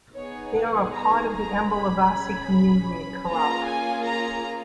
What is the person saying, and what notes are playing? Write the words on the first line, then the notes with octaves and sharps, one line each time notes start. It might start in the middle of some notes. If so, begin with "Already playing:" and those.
They are a part of the Ambalavasi community in Kerala.
B3 D#4 G#4 C#5
F#5
A#5
A#5
C#4 G#4 B5
A#3 C#4 F4 G#4 A#5
G#5
A#5